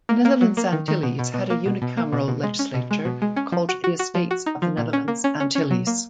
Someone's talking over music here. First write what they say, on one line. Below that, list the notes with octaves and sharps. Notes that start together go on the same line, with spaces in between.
The Netherlands Antilles had a unicameral legislature called the Estates of the Netherlands Antilles.
A#3
A#3
F#3
A#3
D#3
D#3
B2
B2
B2
A#3
B2
B2
A#3
B2
B2
G#3
C#4
B2
G#3
B2
G#3
C#4
F3
F#4
F#4
F#4
F3
F#4
D#4
F3
A#2
C#4
A#3
C#4
C#4
C#4
F#3
A#3